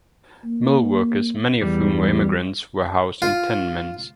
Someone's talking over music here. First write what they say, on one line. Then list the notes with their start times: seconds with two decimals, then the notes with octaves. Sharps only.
Mill workers, many of whom were immigrants, were housed in tenements.
0.45 A#3
1.62 E2 G3
3.22 F4